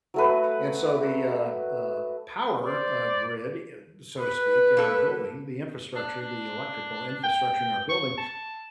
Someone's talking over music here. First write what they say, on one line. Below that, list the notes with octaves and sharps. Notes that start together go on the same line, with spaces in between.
And so the, uh uh, power, uh, grid, eh, so to speak, in our building, the infrastructure, the electrical infrastructure in our building,
F#3 A3 B4
C5 D5
B4
A#3 A4
D4
D4
G5
C#6
A5